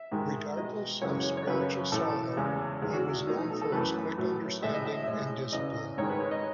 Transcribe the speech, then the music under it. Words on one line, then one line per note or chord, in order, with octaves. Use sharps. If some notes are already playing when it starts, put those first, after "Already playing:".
Regardless of spiritual sorrow, he was known for his quick understanding and discipline.
Already playing: E5
G#2 D#3 G#3
B2 G#3 D#5
F#2 C#3 E3 G#3 C#5
C#5
F#2 C#3 F#3 B4
A2 E3 A3 A4
E2 C#3 G#3
E2 D#3 G#3 G#4
F#4
F#4
F#4
B2 F#3 A3 D#4
D#4
A4
A4
F#2 E3 A3 B4
A2 F#3 A3
A2 G#3 E5
D#5
E5
E5
A2 G#3 D#5
E2 C#3 E3 D#5
G#2 D#3 G#3 C#5
B4
C#5
D#5